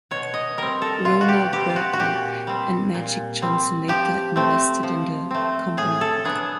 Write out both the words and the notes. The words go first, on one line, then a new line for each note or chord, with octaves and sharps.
Ronald Burkle and Magic Johnson later invested in the company.
B2 C#5
D#5
G3 C4 A#4
A4
B2 F4
F#4
G4
G3 C4 G4
F4
F#4
F#4
A#2 G4
G3 C4
A#2
G3 C4
F3 G4
A3 C4
F3
A3 C4
A2 G#4
A4
F#3 B3 D4 G#4